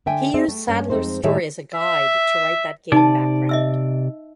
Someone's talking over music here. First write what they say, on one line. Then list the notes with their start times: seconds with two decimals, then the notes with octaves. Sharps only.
He used Sadler's story as a guide to write that game background.
0.06 D3 E5 G5 G#5
0.34 C4 G#4 D5 E5
0.48 A3
0.68 G2 C#4
0.90 F2 G#3 C4 D#4 C5
1.24 A2 D#3 G#3 G4 C#5 E5
1.76 E5
2.92 C3 D#4 D5 A5
3.49 D#5 E5 E6